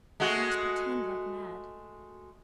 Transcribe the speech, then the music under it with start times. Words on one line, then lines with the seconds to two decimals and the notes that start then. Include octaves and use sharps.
We must pretend like mad.
0.20 G#3 A3 F#4